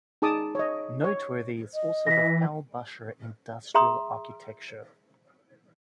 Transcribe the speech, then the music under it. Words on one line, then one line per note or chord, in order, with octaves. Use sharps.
Noteworthy is also the Fellbacher industrial architecture.
D#4 G#4 A5 D6 D#6
C#5 D#5
C#5
D#5
E3 A#6 B6
G#4 E5 A#5 C6 D#6